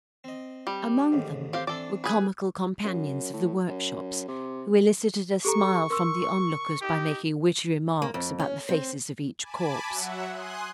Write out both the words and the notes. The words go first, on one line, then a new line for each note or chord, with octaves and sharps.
Among them were comical companions of the workshops who elicited a smile from the onlookers by making witty remarks about the faces of each corpse.
C4 D#5
G3
A1 D#2 G#2
C4 G4 F5
E3 C4 D4 A4 D5
G#4 B4
F#2
A2
F#2
C3
G4 A4 A#5 C#6
A#4 C6 E6
D#4 G4
A#3
F2
C#4
C4
G#5 A5 B5 D6
F#3 E5 F#5
G#5 C6 D#6 F#6